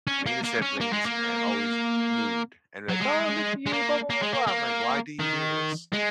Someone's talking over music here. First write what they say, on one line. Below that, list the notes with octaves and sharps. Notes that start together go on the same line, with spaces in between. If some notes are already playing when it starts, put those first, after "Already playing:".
Me and the siblings and always nude, and they're like, "Oh, look at you, blah, blah, blah, blah." I'm like, "Why do you do this?
C#4
A#3
A#3
C#4
A#3
G#3
A#3
F#3
G#3
G#3
A#3
A#3
G#3
A#3
A#3
D#3
G#3